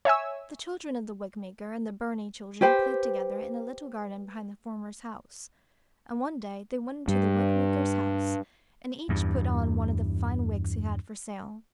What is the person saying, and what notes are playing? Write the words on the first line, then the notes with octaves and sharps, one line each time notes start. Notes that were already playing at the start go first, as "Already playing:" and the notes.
The children of the wig-maker and the Burney children played together in a little garden behind the former's house, and one day they went into the wig-maker's house, and each put on one of the fine wigs he had for sale.
C#5 E5 G#5 E6
G4 B4 C5 G5
G2
E2 G2